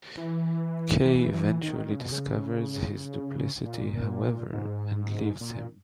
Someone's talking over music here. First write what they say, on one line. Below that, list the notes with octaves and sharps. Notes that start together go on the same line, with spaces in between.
Kay eventually discovers his duplicity, however, and leaves him.
E3
E3
E3
D#3
C#3
B2
C#3
A#2
G#2
A#2